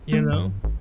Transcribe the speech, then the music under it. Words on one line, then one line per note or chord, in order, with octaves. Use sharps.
You know?
A3
G2
A1